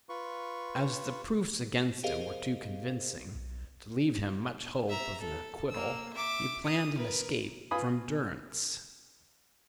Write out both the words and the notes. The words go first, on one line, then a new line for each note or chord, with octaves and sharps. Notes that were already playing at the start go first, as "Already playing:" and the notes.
As the proofs against him were too convincing to leave him much hope of an acquittal, he planned an escape from durance.
F4 B4 C#6
G4 G#4 A#4 C5 D#5 F5
B1
E5 A#5
A4
A#3 E6
E5 D6
D#6
A#4 B4
F4 B4 G#5 B5 D#6